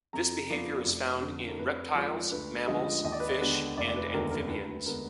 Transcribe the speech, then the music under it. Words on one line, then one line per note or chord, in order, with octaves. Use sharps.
This behaviour is found in reptiles, mammals, fish and amphibians.
F2 A#5
F3 B3 D5
F1
F2 D3
A#4
F2 B4
F3 G#3 D5
D2 B4
D3 F3 G#3 D#5
D#2 D#5
D5
B4
D5
D3 G#3 B3 B4
F1 D5
D5
B4
D#2 D3 G#3 B3 A#4
A#4
D2 B4
D3 G#3 B3 A#4